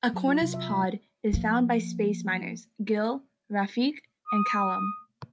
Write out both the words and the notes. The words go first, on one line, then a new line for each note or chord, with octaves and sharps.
Acorna's pod is found by space miners: Gill, Rafik, and Calum.
F#3
F4
C3
E5
G#3
F3 A#3
D#6